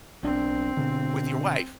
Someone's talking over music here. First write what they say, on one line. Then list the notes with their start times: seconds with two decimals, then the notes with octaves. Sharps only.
With your wife.
0.23 B1 C4 D4
0.77 B2 D3